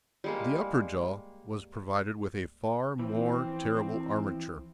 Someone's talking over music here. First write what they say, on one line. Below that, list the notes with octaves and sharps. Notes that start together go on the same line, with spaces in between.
The upper jaw was provided with a far more terrible armature.
G3 G#3 A#3
E3 F3 C4